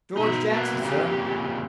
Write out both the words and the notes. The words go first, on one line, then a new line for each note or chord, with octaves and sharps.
"George Jackson, sir."
B2 D#4 E5
A#3 B3 E4
F2 A#2 C#3 G4